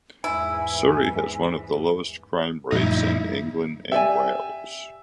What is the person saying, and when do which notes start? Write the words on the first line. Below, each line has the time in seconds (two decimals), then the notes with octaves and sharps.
Surrey has one of the lowest crime rates in England and Wales.
0.24 E2 G#2 E3 E4 G#5
2.72 F#2 A#2 F3 G3 A3 D#4 E4
3.92 G4 D5 E5 G#5